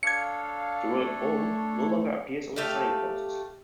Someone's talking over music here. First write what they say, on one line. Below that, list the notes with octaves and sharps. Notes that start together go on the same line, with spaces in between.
The word "Old" no longer appears on the signposts.
D4 A4 C#5 F5 G#6 C#7
A3
A3 G4 E5 F5